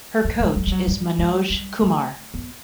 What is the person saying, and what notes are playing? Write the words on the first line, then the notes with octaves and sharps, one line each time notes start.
Her coach is Manoj Kumar.
A#3
G#3
G3
G3
F#3
G3
G#3
G3
A3
B3